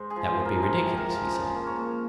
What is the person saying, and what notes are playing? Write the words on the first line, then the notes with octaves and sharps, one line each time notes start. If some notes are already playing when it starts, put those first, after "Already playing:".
That would be ridiculous, he said.
Already playing: G#2 C5
G#4
F3
C5
F3
A#4
C3 C5
C3
A#4
F3
C#3 C5
A#3
C#5
A#3